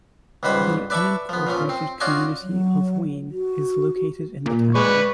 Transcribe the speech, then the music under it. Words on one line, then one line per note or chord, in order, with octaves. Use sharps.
The unincorporated community of Wien is located in the town.
C#2 G#2 G3 B4 C5 B5
B4 D5 E5 A5 B5 C#6
F3 B3
A#2 F3 C#4
C4
C#4 F4 F#4 D5 D#5 G#5
F#3
F#4
A#2
G#3 B4 D5 C#6